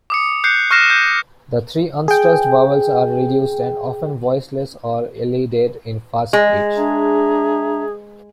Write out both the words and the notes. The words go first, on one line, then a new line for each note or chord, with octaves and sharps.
The three unstressed vowels are reduced and often voiceless or elided in fast speech.
D6 D#6 C#7
F#6 G6 C7 C#7
C#6 F6 F#6 A#6 C7 E7
G6
G#4 G5
G#3
D4 G#4 E5 A#5